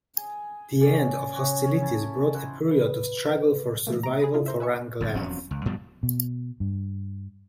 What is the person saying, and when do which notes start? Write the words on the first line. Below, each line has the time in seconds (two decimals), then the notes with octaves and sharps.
The end of hostilities brought a period of struggle for survival for Ranelagh.
0.16 G#4
0.80 F#2 G#4 D5 F5
1.33 C#4 F#4 G#4
1.63 C#4 G#4
1.81 E4 A5
2.34 D#4 E4 C5 F#5
2.71 B4
3.87 E3 A3 A#3
4.03 A#5 D7
4.20 G#4 B5 D#6
4.34 C#3 E4 F4 A#4
4.46 A#4 C5 E5
4.60 B4 E5 G#5 C#6
5.01 G1 F2
5.15 E1 F2 F#3 C#4
5.51 C#2
5.65 G2 B2 F3 G3
6.03 B2
6.60 G2